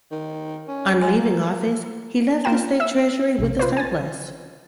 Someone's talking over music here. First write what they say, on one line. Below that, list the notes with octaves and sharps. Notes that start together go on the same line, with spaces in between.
On leaving office, he left the state treasury with a surplus.
D#3
C#4
G#3
A#3
A#3 F4 A#4 G5 E7
E5 E6
A#1 C3
F4 B4 C5
G#5 A6